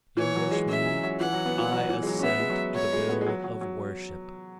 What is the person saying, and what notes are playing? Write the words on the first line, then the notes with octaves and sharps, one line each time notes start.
"Englishmen, I assent to the Bill of Worship."
E3 C#5
F#3
G#3
C#4 E5
G#3
F#3
E3 F#5
F#3
B3
E3
F#3
E3
G#3
F#3
C#4
B3 E5
G#3
F#3
F#3 C#5
G#3
B3
G#3
F#3
F#3
F#3